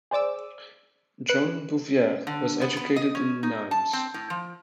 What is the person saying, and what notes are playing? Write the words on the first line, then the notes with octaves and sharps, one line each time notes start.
John Bouvier was educated in Nimes.
G#4 C5 D5 D6 E6
B4 F#6
D3
B3
B3
D#5
C#4
D#4
A5
C4
A2
F3